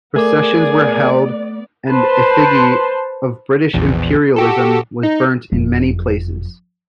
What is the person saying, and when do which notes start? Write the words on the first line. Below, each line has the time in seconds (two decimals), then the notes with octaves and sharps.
Processions were held and effigy of British imperialism was burnt in many places.
0.16 A3 B3 G#4 A#4 D5 D6
1.89 B4 C5 A5 C6
3.74 A#1 E2
4.36 F#4 G4 A4
5.03 D#4
5.52 F#1 F2